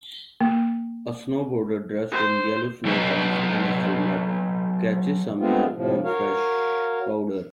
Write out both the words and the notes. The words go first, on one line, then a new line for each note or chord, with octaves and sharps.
A snowboarder dressed in yellow snow pants and a helmet catches some air on fresh powder.
A#3
C5
F#3 D#4 A4 B4 D#5
G#3 A3 B3 C4 F4
A2 C3 F3
F#4 A#4 C#5 F5